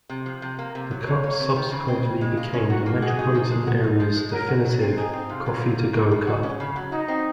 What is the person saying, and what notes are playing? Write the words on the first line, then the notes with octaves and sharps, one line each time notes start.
The cup subsequently became the metropolitan area's definitive coffee-to-go cup.
C3
F3
C3
A#3
C3
F#3
C3 C#5
A#3
C3
D#3
C#3
C4
C#3
G#3
F4
C#4
D#3 F#4
A#3
F#4 G#4
D#4
F3
G#3
F#4
D#4
F3
G#3
F#3 A#4
F#4
F#3
C4
D#4 G#4
C4
C3 F4
F#3
C3
A#3
C3
F3
F#4
C#4
C#3
F#3
D#4 F#4
C4